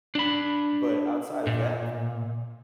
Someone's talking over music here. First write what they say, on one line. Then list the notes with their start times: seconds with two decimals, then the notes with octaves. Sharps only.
but outside of that,
0.15 D4 B5
1.47 A#2